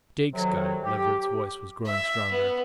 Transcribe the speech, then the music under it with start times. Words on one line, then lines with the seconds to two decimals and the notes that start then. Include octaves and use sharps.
"Jake's got it." Leverett's voice was growing stronger.
0.34 D2 C3 D#3 F#3
0.84 G4
1.85 E5
2.31 B3